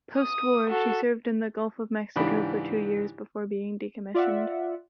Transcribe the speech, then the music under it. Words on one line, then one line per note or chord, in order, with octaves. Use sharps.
Post-war, she served in the Gulf of Mexico for two years before being decommissioned.
D#6
F#4 A4
G#2 C#3 E3 D4 G4 B5
F4 D5 E5 F#5